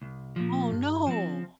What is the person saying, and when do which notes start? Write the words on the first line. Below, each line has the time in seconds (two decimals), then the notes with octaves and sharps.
Oh, no!
0.01 C2
0.36 A#2 F3
0.71 G2
1.07 F3 C4